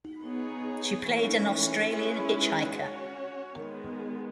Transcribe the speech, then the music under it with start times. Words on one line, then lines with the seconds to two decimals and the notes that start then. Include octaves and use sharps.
She played an Australian hitchhiker.
0.23 B3 D#4 G#4 C#5
1.07 E3 A3 C#4
1.91 G#3 C#4 E4 B4
2.74 C#4 F#4 C#5
3.58 D#3 G#3 B3